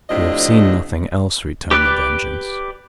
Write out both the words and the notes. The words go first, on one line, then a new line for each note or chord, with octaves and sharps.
"We have seen nothing else," returned The Vengeance.
A2 C3 F3 D4 D#5
G4 B4 D5 F#6